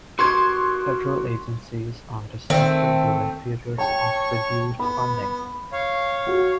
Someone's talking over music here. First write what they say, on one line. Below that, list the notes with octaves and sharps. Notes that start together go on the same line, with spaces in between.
Federal agencies are disrupted during periods of reduced funding.
F#4 G4 A#4 C6 C#6 G#6
D#3 A3 C4
C#5 G5 A5 C#6
B3 B5
C#5 F5
F#4